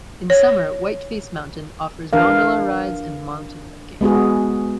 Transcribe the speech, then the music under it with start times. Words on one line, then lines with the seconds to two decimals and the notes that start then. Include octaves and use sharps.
In summer, Whiteface Mountain offers gondola rides and mountain biking.
0.30 C#5
2.13 E3 D4 A#4 F5
4.01 G#3 B3 F#4 G#4